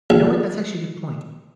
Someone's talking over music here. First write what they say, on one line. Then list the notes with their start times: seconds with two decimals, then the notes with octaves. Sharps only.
You know what, that's actually a good point.
0.10 A#1